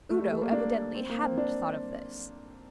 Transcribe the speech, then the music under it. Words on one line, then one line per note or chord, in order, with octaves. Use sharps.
Udo evidently hadn't thought of this.
A3
G3
A3
A#3
D4
C4
A#3
C4
D4